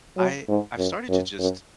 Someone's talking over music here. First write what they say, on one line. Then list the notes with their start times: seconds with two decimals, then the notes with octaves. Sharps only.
I I've started to just
0.17 F#3
0.48 G#2
0.78 F#2
1.09 F#2
1.39 F#2